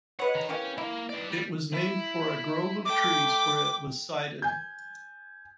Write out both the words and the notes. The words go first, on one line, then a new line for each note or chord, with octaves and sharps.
It was named for a grove of trees where it was sited.
G#3 B4 C#5 F#5
D#3 A#5
E3 A#3 C#4 G4
A#3 E4
B4 D5
G3
E4
A3 G5 D6
G#5 G6